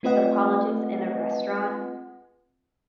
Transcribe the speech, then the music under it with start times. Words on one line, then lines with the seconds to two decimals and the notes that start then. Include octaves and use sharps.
the politics in a restaurant,
0.03 A3 C4 F4 B4 D#5 F#5